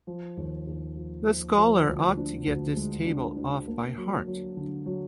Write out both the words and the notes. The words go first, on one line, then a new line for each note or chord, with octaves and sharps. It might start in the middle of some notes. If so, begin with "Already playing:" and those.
The scholar ought to get this table off by heart.
F3
D#2
D#2
F3
F3
F3
D2
D4
D2
G#3
D4
D4
A#3
F#3
F#3
D3
F#3